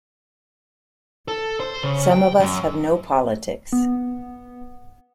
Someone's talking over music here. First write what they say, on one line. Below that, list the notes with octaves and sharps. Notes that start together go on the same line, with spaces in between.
Some of us have no politics.
A4
C5
C#3
G5
F#2
B3